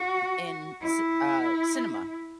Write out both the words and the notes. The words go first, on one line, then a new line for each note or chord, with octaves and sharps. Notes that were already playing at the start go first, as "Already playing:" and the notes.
in ci uh, cinema,
Already playing: F#4
E4